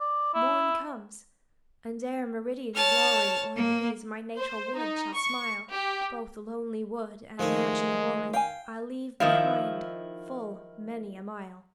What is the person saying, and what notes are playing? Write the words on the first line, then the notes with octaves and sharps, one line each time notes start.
"Morn comes--and ere meridian glory O'er these, my natal woods, shall smile, Both lonely wood and mansion hoary I'll leave behind, full many a mile."
D5
E4
C#5 A5 F6
A#3
C5
D#4
C#6
G4
D#3 F3 G#3 A3 D#4
F5 G5 G#5
D#3 F3 D#4 E4 F5